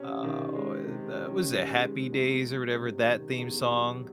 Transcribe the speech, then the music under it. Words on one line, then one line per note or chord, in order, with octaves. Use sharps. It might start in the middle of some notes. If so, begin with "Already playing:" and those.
uh, o the was it Happy Days or whatever, that theme song?
Already playing: C3 C#4
D#3
G#3
C3
C#4
D#3
G#3
E2
F#3
C3
D#3
E2
F#3